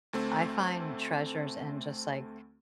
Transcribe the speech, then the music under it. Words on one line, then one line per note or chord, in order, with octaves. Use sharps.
I find treasures in just, like
D2 A3 C4